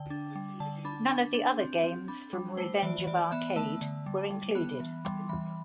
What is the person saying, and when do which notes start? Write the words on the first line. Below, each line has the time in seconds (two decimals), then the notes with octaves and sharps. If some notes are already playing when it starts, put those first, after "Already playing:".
None of the other games from "Revenge of Arcade" were included.
Already playing: D3 G5
0.10 D4
0.35 G3
0.60 D3 A5
0.85 D4 B5
1.10 D4
1.34 D4
1.59 C4
1.84 C4
2.08 D4 B5
2.33 G3
2.57 A3 C5
2.82 E3 D5
3.07 E3 D5
3.32 B3 E5
3.56 A3 A5
3.81 D3
4.06 G3
4.30 G3
4.55 B3 B5
4.80 E3
5.05 G3 C6
5.29 E3 B5